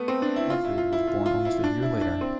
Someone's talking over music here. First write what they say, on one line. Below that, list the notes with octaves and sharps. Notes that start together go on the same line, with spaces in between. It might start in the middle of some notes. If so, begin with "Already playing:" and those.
Alfried was born almost a year later.
Already playing: A3 B3
C4
D4
E4
F4
E4
F4
E4
F4
F4
E4
D4
E4
D4
C4